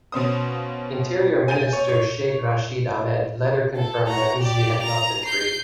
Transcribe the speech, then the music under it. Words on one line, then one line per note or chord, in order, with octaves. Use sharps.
Interior Minister Sheikh Rasheed Ahmad later confirmed that Rizvi had not been freed.
B2 C#4 C5 D#6
G#5 G6 A6 D#7
C#5
C#5
A4
F#4 A#5
G4 D5
A#5 F7
G6 C7